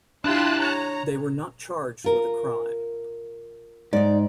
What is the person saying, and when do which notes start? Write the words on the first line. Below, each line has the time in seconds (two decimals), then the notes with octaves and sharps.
They were not charged with a crime.
0.24 D4 E4 F4 G4 A5 C6 F#6
0.59 C#5 A#5
2.04 F4 A#4
3.93 G#2 D#4 D5